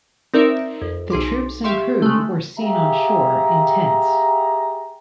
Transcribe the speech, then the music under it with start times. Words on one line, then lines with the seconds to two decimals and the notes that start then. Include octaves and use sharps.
The troops and crew were seen on shore in tents.
0.34 C4 D#4 A#4 D5 E5
0.82 F2
1.10 B1 G#4 C6 D6
1.64 G4 E5 F5 C6 C#6
2.02 G#3 A3
2.59 G4 G#4 E5 F5 G5 A#5